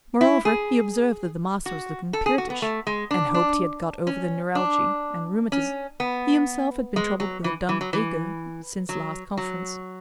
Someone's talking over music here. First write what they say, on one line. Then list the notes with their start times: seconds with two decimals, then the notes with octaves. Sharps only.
Moreover, he observed that the master was looking "peartish," and hoped he had got over the "neuralgy" and "rheumatiz." He himself had been troubled with a dumb "ager" since last conference.
0.21 E4
0.45 G#4
1.66 F#4
2.13 A4
2.26 G#4
2.38 F#4
2.50 B3
2.62 A3
2.87 G#3
3.11 D4
3.34 D4
4.07 C#4
4.55 D4
5.52 C#4
6.00 B3
6.96 G#3
7.20 F#3
7.44 E3
7.69 E3
7.81 F#3
7.93 E3
8.89 F#3
9.37 F#3